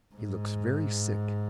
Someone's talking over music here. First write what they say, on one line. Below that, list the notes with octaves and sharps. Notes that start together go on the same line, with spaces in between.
He looks very sick.
G#2